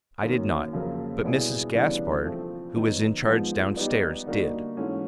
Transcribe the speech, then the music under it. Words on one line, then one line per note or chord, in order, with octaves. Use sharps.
"I did not, but Mrs. Gaspard, who was in charge downstairs, did."
F#2 D#3 F#3 A#3
F2 C#3 F#3 A#3
B2 G3 B3 E4 G#4
C#3 E3 G3 B3 D4
F3 A3 C4
D#3 F#3 B3 D#4
G#2 F3 G#3 B3
G3 B3 D#4 G4
D3 G3 A#3 D#4 F#4
G#2 E3 A3 C#4 F#4